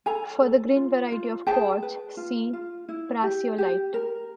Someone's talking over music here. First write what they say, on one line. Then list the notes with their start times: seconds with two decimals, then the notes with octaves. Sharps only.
For the green variety of quartz see prasiolite.
0.06 A4 G#5 A#5
0.41 A4
0.76 F4
1.12 F4
1.47 G#4 G5 A5
1.82 B4
2.17 F4
2.53 F4
2.89 E4
3.23 G4
3.58 G4
3.94 A#4